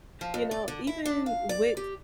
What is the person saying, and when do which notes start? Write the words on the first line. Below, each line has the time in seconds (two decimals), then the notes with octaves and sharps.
you know, even wit
0.21 F3
0.34 F2
0.51 D5
0.68 D3
0.87 E4
1.05 D4
1.26 F5
1.49 D5
1.77 G4